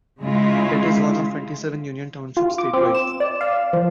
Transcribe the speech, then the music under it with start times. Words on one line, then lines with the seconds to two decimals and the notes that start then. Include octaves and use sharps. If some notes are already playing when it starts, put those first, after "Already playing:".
It is one of twenty-seven Union Townships statewide.
0.21 C#3 G#3 E4 F4
2.37 F4
2.58 D6
2.74 C4
2.95 E7
3.20 D5
3.41 F5
3.73 F3